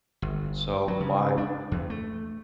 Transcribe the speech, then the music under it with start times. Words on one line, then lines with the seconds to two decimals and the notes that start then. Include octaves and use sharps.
and so my
0.22 G1
0.88 F#3
1.00 C#3
1.38 D4
1.72 E2
1.90 A3